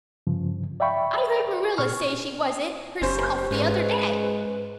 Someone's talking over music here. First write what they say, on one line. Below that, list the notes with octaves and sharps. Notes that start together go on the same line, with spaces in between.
"I heard Marilla say she was it, herself, the other day."
G2 C#3 F3
D5 E5 F5 G5 B5 C#6
A#2 C#6 F6
F#1 C#4 G4 C5 C#5
G#2 G#3 B4